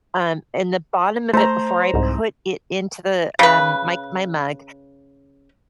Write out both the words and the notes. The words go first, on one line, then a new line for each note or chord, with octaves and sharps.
Um, in the bottom of it, before I put it into the, um, my c my mug,
A3 C5 A#5
C2 G#2
C#3 B4